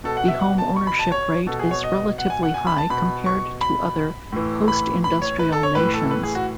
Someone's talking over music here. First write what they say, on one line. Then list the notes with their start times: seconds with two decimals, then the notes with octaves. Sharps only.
The home ownership rate is relatively high compared to other post-industrial nations.
0.04 B2 A4
0.17 F#5
0.28 E5
0.40 F#5
0.58 A5
0.76 C#6
0.87 B5
0.99 A5
1.12 C#5
1.47 B2 A4
1.59 G#4
1.71 C#5
1.84 D#5
2.18 F#5
2.30 G#5
2.43 F#5
2.54 G#5
2.67 B5
2.78 A5
2.90 B2 B5
3.26 C#6
3.61 B5
4.32 A2 E3
4.68 B5
5.04 B5
5.22 C#5
5.39 B4
5.52 A4
5.63 C#5
5.75 A2 E3 B4
5.94 A4
6.06 A4
6.11 B4
6.23 G#4
6.35 F#4